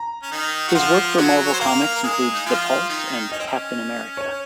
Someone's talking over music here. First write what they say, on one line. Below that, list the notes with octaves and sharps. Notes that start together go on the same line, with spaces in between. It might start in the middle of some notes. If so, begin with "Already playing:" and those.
His work for Marvel Comics includes "The Pulse" and "Captain America".
Already playing: A#5
C#4
D#3 D#4
F#4
F3 F4 F#5
F#3 F#4
C#5
C5
A#3 A#4 F5
A#4
G#3 G#4
D#4
F3 F4
D#3 D#4
C#4 D#5
C4
C#4
C#5